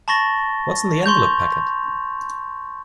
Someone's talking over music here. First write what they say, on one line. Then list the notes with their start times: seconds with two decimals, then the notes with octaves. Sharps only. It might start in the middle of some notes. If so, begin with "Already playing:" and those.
What's in the envelope packet?
0.08 A5 B5 C#6 A6 A#6 G7
1.04 C6 C#6 G6 F7